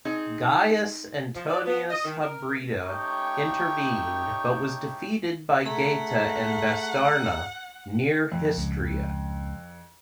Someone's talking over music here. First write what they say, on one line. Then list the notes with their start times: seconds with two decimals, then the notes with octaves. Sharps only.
Gaius Antonius Hybrida intervened, but was defeated by Getae and Bastarnae near Histria.
0.05 C4 D#4 G#4
1.35 F3
1.49 D5
1.65 B3
1.90 D#5
2.05 D#3
2.20 A#4
2.81 A3 C#4 D#4 G4 C#5 G5
5.66 A3 G#4 F#5 A#5
8.32 F2
8.58 C#2